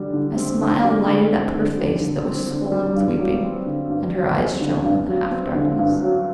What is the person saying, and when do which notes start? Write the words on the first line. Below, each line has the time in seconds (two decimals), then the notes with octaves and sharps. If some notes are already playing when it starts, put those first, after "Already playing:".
A smile lighted up her face that was swollen with weeping, and her eyes shone in the half darkness.
Already playing: D3 G3
0.13 D3
0.37 C4
0.60 D3
0.84 G3
1.07 D3
1.31 C4
1.55 D3
1.78 G3
2.02 D3
2.25 C4
2.48 D3
2.72 G3
2.95 G2
3.19 F#3
3.43 C4
3.66 D3
3.90 G2
4.13 F#3
4.37 C4
4.61 D3
4.84 G2
5.08 F#3
5.31 C4
5.55 D3
5.79 G2
6.02 F#3